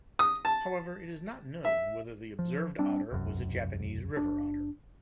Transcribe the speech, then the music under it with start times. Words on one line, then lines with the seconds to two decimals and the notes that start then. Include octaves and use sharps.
However, it is not known whether the observed otter was a Japanese river otter.
0.19 D#6
0.45 A5
1.65 E5
2.39 F3
2.79 G3 C4 D4
3.11 E1 C2 F#2
4.17 F#1 D4